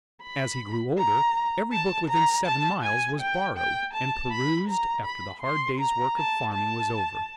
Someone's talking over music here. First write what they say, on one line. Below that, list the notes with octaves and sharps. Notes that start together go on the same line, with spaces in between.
As he grew older, every book within seven miles was borrowed, and perused after the hard day's work of farming was over.
B5
A#5
A5
A#5
A5
G#5
G5
G5
A5
B5
A#5
B5
C6
A#5
A5
A5